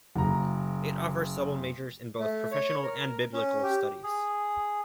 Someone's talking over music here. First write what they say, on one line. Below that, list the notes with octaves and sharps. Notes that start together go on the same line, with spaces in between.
It offers double majors in both professional and biblical studies.
F#1 A#5
A3
C#5
A#4
C#4
G4
G#4